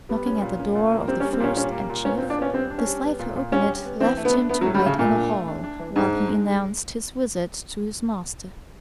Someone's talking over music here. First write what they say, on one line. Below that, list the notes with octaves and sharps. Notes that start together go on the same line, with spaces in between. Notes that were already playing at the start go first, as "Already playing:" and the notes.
Knocking at the door of the first and chief, the slave who opened it left him to wait in a hall while he announced his visit to his master.
G3 B3
C#4
A#2
C#4
A#2
A#3
G3 C4
C#4
G3
C4
A#2 C#4
G3 C#4
A#3
A#2
B3 C#4
C4
A#2
D4
B3 C#4
G3 C4
D4
C#4
G3
B3
A#2
A#2
G3 C#4
G3
B3
E3 C4
A3
B3
D4
A3 B3
F#3
A2
G3
C#3 A3
A#2 A3
D4
A3
D4
D4
E3
G#2 G#3
D4
G#3